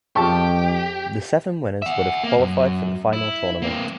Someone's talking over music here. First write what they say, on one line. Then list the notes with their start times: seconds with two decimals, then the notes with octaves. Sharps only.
The seven winners would have qualified for the final tournament.
0.16 F2 F3 G4 A5 C#6
1.82 E5 F#5
2.24 A#3
2.39 F#2
3.13 E4
3.62 A#3 C4